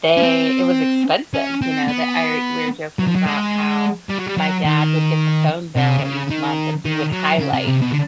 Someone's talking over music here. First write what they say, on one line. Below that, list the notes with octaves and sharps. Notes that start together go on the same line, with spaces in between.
they it was expensive, you know, that I we were joking about how my dad would get the phone bill each month, and he would highlight
C#4
C4
C#4
C4
B3
F#3
F3
F#3
G#3
G3
F#3
G3
F#3
D#3
C3
D3
C#3
D#3
D#3
F#3
C#3
C3
C3
B2
D3